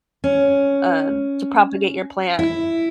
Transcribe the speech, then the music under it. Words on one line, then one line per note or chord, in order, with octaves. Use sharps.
um, to propagate your plant."
C#4
E4